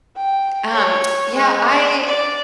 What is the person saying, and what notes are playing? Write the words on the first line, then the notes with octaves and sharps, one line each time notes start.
I Um, yeah, I
G5
C#5
G#3
D5